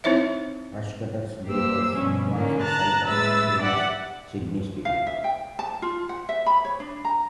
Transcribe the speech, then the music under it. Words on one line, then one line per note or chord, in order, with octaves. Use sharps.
Rushcutters Bay was once the site of the famous Sydney Stadium.
C4 D#4 E4 C5 C#5 E5
A#3 G4 C5 E6
G2 B2 F3 C#4
D3 D#3 A3 A#3 C#4
A5 A#5 F#6 A6
A2 G#3 B4 E5 E6 A6
G4 D5 E5 F#5
F5
E5
G5
A5
F4
F#5
E5
B5
C#5
D4
A#5